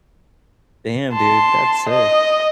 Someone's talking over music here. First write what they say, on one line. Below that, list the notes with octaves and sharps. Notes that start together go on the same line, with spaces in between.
Damn, dude, that's sick.
A5 C6
D#5